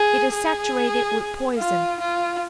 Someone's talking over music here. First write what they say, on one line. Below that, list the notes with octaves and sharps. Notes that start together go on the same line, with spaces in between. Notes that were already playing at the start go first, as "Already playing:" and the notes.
It is saturated with poison.
Already playing: G#4
G#4
F4
F4